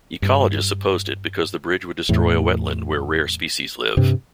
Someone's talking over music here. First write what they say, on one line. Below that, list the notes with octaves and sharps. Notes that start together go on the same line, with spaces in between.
Ecologists opposed it because the bridge would destroy a wetland where rare species live.
G2
E2 A2
G2 C3